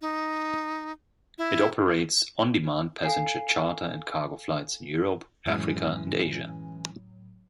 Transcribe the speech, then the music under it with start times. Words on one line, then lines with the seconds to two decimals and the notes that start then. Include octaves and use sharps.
It operates on-demand passenger charter and cargo flights in Europe, Africa and Asia.
0.01 D#4
1.38 E4
3.04 A4 F5 G#5 C7
5.46 F#2 A2 E3 F#3 G#3 C#4